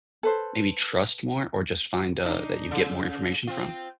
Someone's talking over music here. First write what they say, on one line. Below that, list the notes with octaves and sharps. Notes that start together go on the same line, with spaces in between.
maybe trust more or just find, uh, that you get more information from?
A4 B4 C5
D4 D#4
C#3 A4
C4 F4